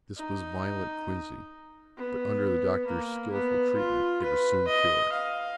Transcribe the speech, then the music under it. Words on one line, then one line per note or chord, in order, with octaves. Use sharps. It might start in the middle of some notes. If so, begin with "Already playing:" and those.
This was violent quinsy, but, under the Doctor's skilful treatment, it was soon cured.
D#4
B3
A#3
B3
F4
B4
D#5
F5